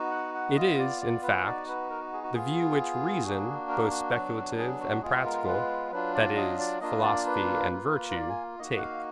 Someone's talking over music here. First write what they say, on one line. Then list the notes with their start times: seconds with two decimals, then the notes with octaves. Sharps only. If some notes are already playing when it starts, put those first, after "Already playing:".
It is, in fact, the view which Reason, both speculative and practical, that is, philosophy and virtue, take.
Already playing: B3 D#4 F#4
0.11 F#5
0.34 F#5
0.56 B3 F4 D#5
0.79 D5
1.01 D5
1.23 B4
1.45 B3 D#4 F#4 D5
1.68 B4
1.90 A#4
2.13 G#4
2.24 F#4
2.34 B3 F4 G#4
3.24 A#3 D4 F#4
3.69 A#4
3.91 F#4
4.13 F#3 B3 D4
4.58 G#4
4.81 F#4
5.02 G#3 B3 F4 G#4
5.25 A#4
5.48 B4
5.92 F#3 D4 F4 B4
6.14 D5
6.37 D#5
6.59 D5
6.81 A#3 D4 F4 D#5
6.98 B4
7.03 D5
7.26 B4
7.70 A#3 F4
8.10 B4
8.16 D5
8.29 G#5
8.59 A#3 D#4 F#4 D#5
8.77 F#5
8.82 F5